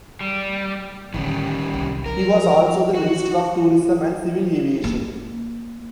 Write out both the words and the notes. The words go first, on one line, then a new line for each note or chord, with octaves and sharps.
He was also the minister of tourism and civil aviation.
G3
A2 D3 D#3 G3 C#4
C2
F3 A#4
F#4
A#3